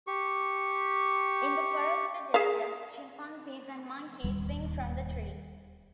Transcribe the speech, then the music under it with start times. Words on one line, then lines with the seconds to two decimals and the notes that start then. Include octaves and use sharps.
In the forested areas, chimpanzees and monkeys swing from the trees.
0.07 G4 C#6
2.34 G#4 E5 F5
4.24 D1 D#2 G3